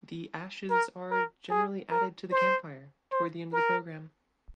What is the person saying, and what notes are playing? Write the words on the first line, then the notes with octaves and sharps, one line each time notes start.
The ashes are generally added to the campfire toward the end of the program.
A#4
A#4
G#4
A#4
C5
C5
A#4